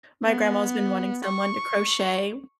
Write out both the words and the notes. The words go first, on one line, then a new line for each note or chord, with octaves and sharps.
My grandma's been wanting someone to crochet,
B3
C#6